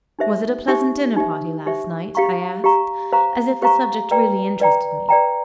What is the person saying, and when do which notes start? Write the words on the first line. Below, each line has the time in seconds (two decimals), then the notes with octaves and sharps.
"Was it a pleasant dinner-party last night?" I asked--as if the subject really interested me.
0.19 D#4 G4 C5 E5
0.68 D#4 G4 C5 E5
1.16 D#4 G4 C5 E5
1.66 D#4 G4 C5 E5
2.15 G4 C5 F5 A#5 C#6
2.64 G4 C5 F5 A#5 C#6
3.12 G4 C5 F5 A#5 C#6
3.62 G4 C5 F5 A#5 C#6
4.11 B4 D5 G5 A#5
4.60 B4 D5 G5 A#5
5.09 B4 D5 G5 A#5